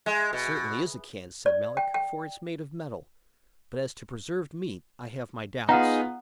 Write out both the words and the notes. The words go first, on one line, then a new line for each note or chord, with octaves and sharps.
"It certainly is a can," said Melick, "for it's made of metal; but as to preserved meat, I have my doubts."
G#3
B2
D5
G5
G5
B3 D#4 F4 G#4 F#5 A#5